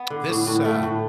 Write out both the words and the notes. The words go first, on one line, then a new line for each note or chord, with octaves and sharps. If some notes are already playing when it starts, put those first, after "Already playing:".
This, uh
Already playing: B3
D3
A2
A2
A3
A2